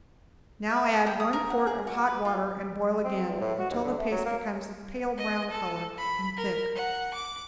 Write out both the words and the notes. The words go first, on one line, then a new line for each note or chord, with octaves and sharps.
Now add one quart of hot water and, boil again, until the paste becomes a pale brown color, and thick.
E5
F#5
G5
D#6
A#4
F#5
G#4
F#4
B4
F4
C4
E2
A2
F#4
D#2
D3
A3
F#3
A#3
D#5
A4
B5
A#4
F#5
D6